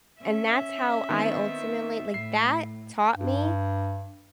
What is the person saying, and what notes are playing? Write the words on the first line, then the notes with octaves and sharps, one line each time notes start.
and that's how I ultimately like, that taught me
C#4 E5
D#3 B3 C4
A2 C7
G2